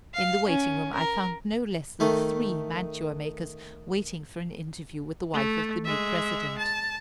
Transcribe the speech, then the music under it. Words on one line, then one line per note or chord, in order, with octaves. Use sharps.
In the waiting-room I found no less than three mantua-makers waiting for an interview with the wife of the new President.
F5
C#4
A#4
D#3 A3
A3
G#3 E5
A5